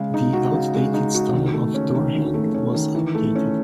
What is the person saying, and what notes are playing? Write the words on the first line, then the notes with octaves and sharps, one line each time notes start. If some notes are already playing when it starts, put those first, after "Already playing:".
The outdated style of door handle was updated.
Already playing: C#3 G#3
D#4
F#4
C#3
G#3
D#4
F#4
D#3
A3
C#4
D#3
D#3
A3
C#4
D#3
E3
A3
C#4